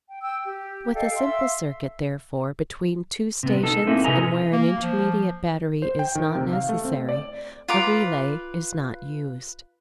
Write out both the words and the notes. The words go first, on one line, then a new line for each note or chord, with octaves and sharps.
With a simple circuit, therefore, between two stations and where an intermediate battery is not necessary, a relay is not used.
G5
G5 E6
G4
A4 D#5 F5 G5
E5 F5 C6 E6
C3 B3
D#4 A4
G#3 A#3 C4 D#4 E4
C3 A4 B4 D#5 G#5 A#5
A#3
F3
C5
G5
D#3
C3
F5
A3
C4
D5
F4 B4 A#5 D6